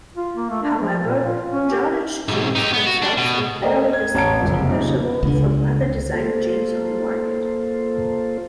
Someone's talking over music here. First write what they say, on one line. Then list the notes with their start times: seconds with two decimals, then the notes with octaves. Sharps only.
However, Jordache jeans themselves were barely distinguishable from other designer jeans on the market.
0.16 F4
0.37 A#3
0.50 A3
0.63 D4
0.81 F3
1.04 A#2
1.23 F4
1.51 C#4
1.71 G4
2.28 B1 G#2
2.55 D#4 G4
2.73 B3
2.86 F#4
3.02 D4
3.18 B2
3.62 A3 A#4 C5 D5 D#5 G5
3.93 G#6
4.14 A1 C#5 A5 A#5 G#6 D7
4.41 F#1 C2 F2
4.69 A#2 C#3 F3 G3 D#4
5.23 C#2 D3
6.13 A#3 F4 A4 C5